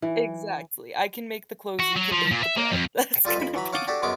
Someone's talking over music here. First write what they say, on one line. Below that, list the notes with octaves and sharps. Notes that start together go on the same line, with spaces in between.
Exactly, I can make the clothes, you can bake the bread. That's gonna be
E3
F#4
F#3
F3
A#2
E5
A#3
F2
G3 F4 A4 B4
F2 B5
E3 F#3 B5
C#5 F5 F#5 A5 D6 D#6
D4 F#4 G4 A4
F#2 G#3 B3 C#4 D6